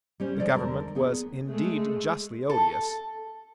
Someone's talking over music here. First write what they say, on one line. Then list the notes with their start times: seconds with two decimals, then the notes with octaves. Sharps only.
The government was indeed justly odious.
0.20 G3 C#4 C5
0.40 F3 G#3 A4 D5
0.54 E2 D3 A#4 A5
0.95 D#2 B3 G#4
1.49 G#3 A3
2.50 A4